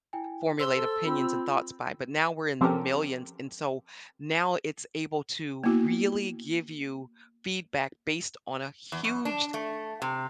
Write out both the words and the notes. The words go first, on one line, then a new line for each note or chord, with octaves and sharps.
formulate opinions and thoughts by, but now we're in the millions, and so now it's able to really give you feedback based on a huge
E4 G5 G#5
C5 C6 E6 G7
A4
C4 F4 B5
F3 C4 C#4 G4 A4 A#4
A#3 B3 E4 F#4
E2
F#2
D4
A3
C3